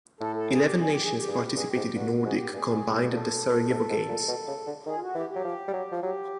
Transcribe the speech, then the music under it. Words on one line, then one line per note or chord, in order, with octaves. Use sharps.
Eleven nations participated in nordic combined at the Sarajevo Games.
A2 A4
A4
G#4
G4
G#4
G4
G#4
G4
G2 G#4
G#2
G4
G2 G#4
G4
G#2
G2 F#4
F#4
G#2 G#4
G4
G2 G#4
G#2
A2
B2
A#2 A4
A#2
G#2
G#2
A#2
B2
C#3
D3
D#3 G#4
F4
F#4
E3 G4
G4
F#3
F3
G3
F#3
F3
F#3 G4